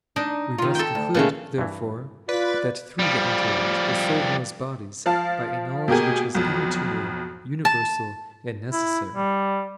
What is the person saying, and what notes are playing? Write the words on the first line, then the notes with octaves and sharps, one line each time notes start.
We must conclude, therefore, that through the intellect the soul knows bodies by a knowledge which is immaterial, universal, and necessary.
D4 D#4
D#3 F4
A4 G5
D2
A#2 C#3 A3 B3
G2 E3
F4 B4 D5
F3 G3
F3 F5 A5
B2 A#3 G4 G#4
B1 F2
A5
E4
G3